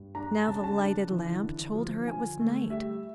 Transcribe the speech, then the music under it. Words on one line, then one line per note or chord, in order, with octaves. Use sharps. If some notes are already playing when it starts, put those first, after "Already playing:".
Now the lighted lamp told her it was night.
Already playing: G2
D4 A#5
C#3 A5
A5
D4
E3
D3
F3
D3 G#5
A3
G3 E5